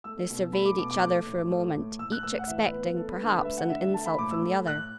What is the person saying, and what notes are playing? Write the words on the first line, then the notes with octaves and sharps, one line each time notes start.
They surveyed each other for a moment; each expecting, perhaps, an insult from the other.
A3 E6
B2
A3 B5
D6
B2 D6
D6
A3
A2
A3
A2
A2 E6
F#6
A2 E6
F#5
E3 E5
B4
B3
A3 A4
B4
D3 A4
B4
A3 E5
F#5
D3 E5
E5
A3 A5
B5
A2 D6
E6
A3
A2 F#6